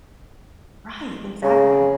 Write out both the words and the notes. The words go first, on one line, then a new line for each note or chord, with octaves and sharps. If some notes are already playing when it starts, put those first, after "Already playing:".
Right, exactly.
C#3